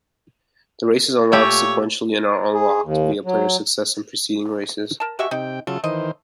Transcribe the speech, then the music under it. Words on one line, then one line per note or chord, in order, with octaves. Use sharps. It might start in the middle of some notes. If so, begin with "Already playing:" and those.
The races unlock sequentially and are unlocked via player success in preceding races.
A#2 A3 G4 C#5
G#4
D#2
F#3
A#4 A5
G#3 F#4 G4 E5 C#6
C3 D#4 G5
C#3 F#3 A3 F4
D#3 E3 C5 D#5